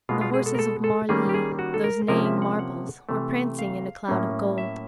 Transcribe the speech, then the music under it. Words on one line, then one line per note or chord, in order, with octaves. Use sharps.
The horses of Marly, those neighing marbles, were prancing in a cloud of gold.
B2 G#3 B3 F4
F4
G#4
A4
A#4
A4
A4
D#3 G3 A#3 C#4 G#4
G4
G#4
F#4
A4
A#4
C3 F3 A#3 C#4 A#4
E5
F#5
F#5
C3 E3 A3
F5
A2 F#3 A#3 C#4
E5